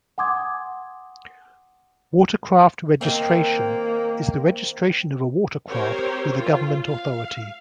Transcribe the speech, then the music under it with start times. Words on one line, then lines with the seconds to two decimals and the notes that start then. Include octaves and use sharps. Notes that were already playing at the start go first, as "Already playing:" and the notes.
Watercraft registration is the registration of a watercraft with a government authority.
0.18 F#5 G#5 C6 D6 D#6 G#6
3.01 D#3 A#3 C4
5.69 C4 G4 A#4 C5 C#5
6.37 F4
6.85 F5